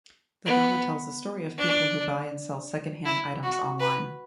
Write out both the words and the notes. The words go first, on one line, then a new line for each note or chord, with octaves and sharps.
The drama tells the story of people who buy and sell secondhand items online.
B3
D4
E4
F#4
B4